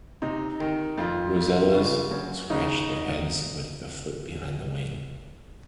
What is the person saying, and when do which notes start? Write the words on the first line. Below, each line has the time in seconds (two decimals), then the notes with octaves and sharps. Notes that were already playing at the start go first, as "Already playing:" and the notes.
Rosellas scratch their heads with the foot behind the wing.
0.22 C3 D#4
0.60 D#3
0.98 F2 F4
1.36 F2
1.74 C#3 F4
2.11 F#2
2.50 C#3 D#4